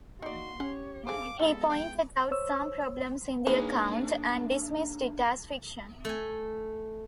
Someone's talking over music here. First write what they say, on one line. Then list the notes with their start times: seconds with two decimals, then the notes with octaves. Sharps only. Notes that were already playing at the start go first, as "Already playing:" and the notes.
He pointed out some problems in the account and dismissed it as fiction.
0.22 A#3 D#4 F#4 D5 C6
0.60 C#4 G4 C#5 F#5
1.07 G#4 A4 C5 F5 D6
1.39 G3 G#3 B3 E4 A4 B5
1.70 F5 G5
2.31 C5 C#5 E6
3.47 A#3 D4 D#4 G#4 B4 C#5
6.05 A3 G#5